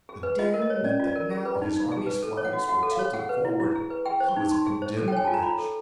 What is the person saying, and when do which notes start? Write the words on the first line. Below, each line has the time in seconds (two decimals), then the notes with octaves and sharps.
If the din meant that now his army's flags were tilted forward he was a condemned wretch.
0.09 G#4
0.23 B4
0.39 F4 D#5
0.54 A#4
0.62 D#5
0.70 C#5
0.84 C#4 D5
1.00 F4
1.07 D5
1.16 A#4
1.31 G#4
1.45 B4
1.62 D#4
1.76 D#4
1.92 G#4
2.06 B4
2.23 A4
2.37 C#5
2.45 F#5
2.53 F#4
2.68 F#4 F#5
2.83 A4
2.91 F5
2.99 C#5
3.13 G#4 F#5
3.29 B4
3.45 E4
3.60 E4
3.75 G#4
3.90 B4
4.05 G#4 G5
4.20 C5
4.28 C#6
4.36 D#4
4.51 D#4 C6
4.67 G#4
4.82 C5
4.97 A4
5.08 G5
5.12 C#5 G#5
5.25 F4 A5
5.34 A#5
5.43 F4 B5
5.59 A4